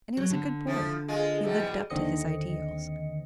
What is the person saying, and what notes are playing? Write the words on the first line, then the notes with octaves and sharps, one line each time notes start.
And he was a good boy; he lived up to his ideals.
F#3
D3
F3 A3 E4
G#3 F4
B2 E3 G3
G#4
D#2 D3 C4 D#5 C#7